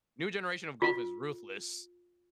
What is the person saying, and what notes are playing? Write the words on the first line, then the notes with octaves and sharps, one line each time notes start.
New generation of golf is ruthless.
F4